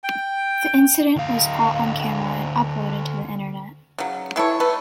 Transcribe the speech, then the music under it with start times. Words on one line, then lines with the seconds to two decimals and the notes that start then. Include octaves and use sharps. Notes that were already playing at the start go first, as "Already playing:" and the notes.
The incident was caught on camera and uploaded to the Internet.
0.04 G5
1.16 D2 F5
3.98 C#3 F#3
4.36 E3 E4 A4 C#5
4.60 A3 B4